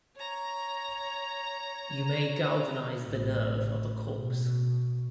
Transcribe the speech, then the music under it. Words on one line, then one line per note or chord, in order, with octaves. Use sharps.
You may galvanize the nerve of a corpse.
C#5 A#5
A1
B2